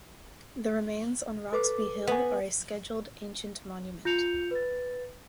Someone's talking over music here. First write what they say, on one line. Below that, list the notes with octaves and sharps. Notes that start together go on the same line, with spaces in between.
The remains on Roxby Hill are a Scheduled Ancient Monument.
A4 B4 D6
B3 F#5 G#5
F4 G6 C#7 F7
B4 A6